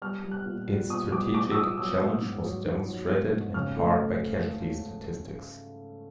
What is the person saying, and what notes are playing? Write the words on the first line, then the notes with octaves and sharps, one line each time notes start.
Its strategic challenge was demonstrated, in part, by casualty statistics.
G3 F6
G3
F#6
A#2
G3
A#2 D#6
G3 D6
A#2 D6
E6
G3 D#6
F#3 E6
G#2
G#2
F#3
D#3
F#3
G#2
G#2
C#3 F6
A3